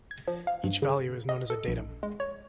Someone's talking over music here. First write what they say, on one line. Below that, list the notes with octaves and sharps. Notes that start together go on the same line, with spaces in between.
Each value is known as a datum.
G#6
F3
F5
G2
C#3
D#5
A4
A#1
G#3
C#5